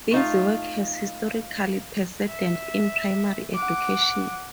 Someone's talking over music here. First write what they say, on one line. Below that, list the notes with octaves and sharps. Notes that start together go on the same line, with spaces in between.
Busy work has historical precedent in primary education.
A3 D#4 F4
E5
F#5 D6